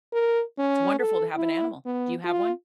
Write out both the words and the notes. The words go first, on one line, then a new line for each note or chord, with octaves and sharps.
it's wonderful to have an animal. Do you have one?
A#4
C#4
A4
E4
B3
F4